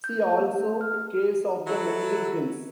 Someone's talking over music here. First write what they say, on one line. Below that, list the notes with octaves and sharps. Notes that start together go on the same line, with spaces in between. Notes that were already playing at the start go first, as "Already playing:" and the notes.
See also Caves of the Mendip Hills.
G6
E5
A#3
A3
F6
G#4
F#3 E4 A4